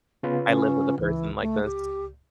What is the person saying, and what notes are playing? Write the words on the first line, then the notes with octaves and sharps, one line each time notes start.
I live with a person like this.
C#3 B3 F4 B4
C#4
C#2 E3
A3
G4